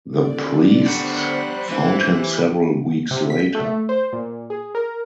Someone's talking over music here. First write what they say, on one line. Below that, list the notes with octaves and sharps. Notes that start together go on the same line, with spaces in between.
The priests found him several weeks later.
D#1 D3 A4 D5
D3 G3 B3 F#4 C5 F#6
F1 E3 D4
G4
C3
B6
A3
C5
A#2
G#4
A#4